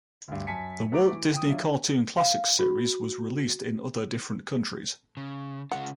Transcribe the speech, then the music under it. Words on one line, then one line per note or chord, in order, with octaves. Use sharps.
The Walt Disney Cartoon Classics series was released in other different countries.
D2 G2
F#2 G#5 A5 B6 C#7
A3 F#4 A#5 D6 D7
E3
G5 D#6
F#3 D4 E4 F4
F5
F#4
C#3
C#3 G#3 F4 F#5